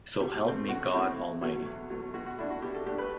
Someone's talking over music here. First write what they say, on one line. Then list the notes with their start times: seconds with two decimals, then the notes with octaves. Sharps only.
So help me God almighty.
0.20 B2 G4
0.45 A3 C4
0.68 B2 F#4
0.85 F#4
0.93 A3 C4 E4
1.17 E2
1.41 B2 F#3 A3
1.65 E2
1.90 B2 F#3 A3
2.14 B2 F#4
2.26 F#4
2.38 A3 D4 E4
2.50 F#4
2.62 B2 G4
2.75 A4
2.87 A3 D4 G4
2.98 B4